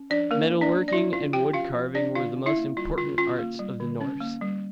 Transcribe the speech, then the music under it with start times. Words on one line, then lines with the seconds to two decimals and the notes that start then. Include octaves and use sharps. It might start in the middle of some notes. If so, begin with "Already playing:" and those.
Metal-working and wood-carving were the most important arts of the Norse.
Already playing: C#4
0.10 F3 D4 D5
0.31 A#3 C#4 A#4
0.52 F3
0.61 D4 D5
0.72 C#4
0.88 D5
0.93 F3 E4 E5
1.13 C#4 F4 F5
1.33 F3 G4 G5
1.54 C#4 F4 F5
1.74 F3
1.95 C#4 D4 D5
2.15 D3 F4 F5
2.36 C#4
2.46 E4 E5
2.57 A#3
2.77 G3 F4
2.97 D3 F4
3.18 C#4 F4
3.39 A#3
3.59 G3
3.80 D3
4.00 C#4
4.20 A#3
4.41 G3